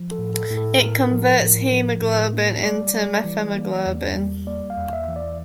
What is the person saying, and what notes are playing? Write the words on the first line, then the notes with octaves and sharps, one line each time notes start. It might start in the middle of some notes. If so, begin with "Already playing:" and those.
It converts hemoglobin into methemoglobin.
Already playing: F3
A4
A2
A4
A2
A4
A2 A#4
F3
A2
F3
A2
A#3
G3 D5
G3
E3
A#3
E2
G3
A#3 D5
F5
E2
E5
E3
D5